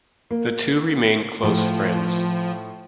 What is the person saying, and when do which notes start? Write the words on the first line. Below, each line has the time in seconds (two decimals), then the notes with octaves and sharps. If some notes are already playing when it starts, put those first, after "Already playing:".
The two remain close friends.
0.31 A#3
1.43 A2 F3